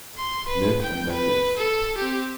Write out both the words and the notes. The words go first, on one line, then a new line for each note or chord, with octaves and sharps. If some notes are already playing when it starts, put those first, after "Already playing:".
Live and let live.
C6
B4
G5
B4
A4
C4 G4